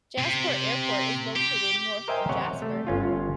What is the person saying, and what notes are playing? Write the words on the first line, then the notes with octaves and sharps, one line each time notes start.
Jasper Airport is located north of Jasper.
C3
G4
A#4 C5 D#5 E5 G5 G#5
C3 C#5 F#5
A3
G1 C#4 F4